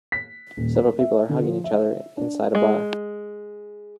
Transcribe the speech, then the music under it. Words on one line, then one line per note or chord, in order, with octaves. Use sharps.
Several people are hugging each other inside a bar.
B6
D#1
A#4
E5
D3
F3
E5
D4
G#3